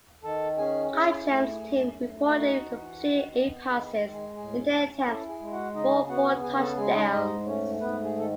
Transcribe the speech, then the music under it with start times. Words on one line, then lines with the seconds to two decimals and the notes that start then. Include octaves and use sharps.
Cochems' team reportedly completed eight passes in ten attempts for four touchdowns.
0.23 D#3 A4 A5
0.58 C#4 G#4 G#5
0.92 E4 G#4 G#5
1.27 A3
1.62 F#2
1.95 A3
2.30 D#4 F#4 F#5
2.65 E3
2.99 D#3
3.33 B3
3.68 D#3 G#4 G#5
4.03 G#3
4.14 G#4 G#5
4.36 A2 G#4 G#5
4.71 C#4
5.05 E4 A4 A5
5.28 G#4 G#5
5.40 G#3
5.52 F#4 F#5
5.74 C#3 D#4 D#5
6.09 B3 F#4 F#5
6.43 C#3 G#4 G#5
6.60 A4 A5
6.77 G#3 G#4 G#5
6.94 D#4 D#5
7.12 G#2 D#4 D#5
7.46 A3 C#4 C#5
7.81 G#2 B3 B4
8.03 G#4
8.16 D#3 A4